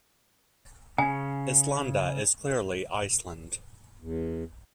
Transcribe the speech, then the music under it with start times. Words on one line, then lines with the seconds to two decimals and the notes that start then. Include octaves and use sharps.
"Islanda" is clearly Iceland.
0.98 C#3 C#4 G#5
3.99 E2